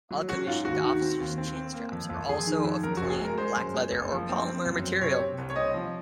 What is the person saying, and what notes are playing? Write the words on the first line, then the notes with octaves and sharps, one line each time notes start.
All commissioned officers' chinstraps are also of plain black leather or polymer material.
F#3
C#4 F#4
G#2 F4
D#2 F#4
D#3
C4
D#2
C4
C4
A#3
F2
F2
F2 G#4
D#3
F2
F#2 A#4
F#4
F#1
G#4
G#3
A#4
G#3 C5
F#2
G#3
F#1
F3
C4
C4
F#2
C4
C3 C#5
C4
C2
C#5
C4 D#5
F3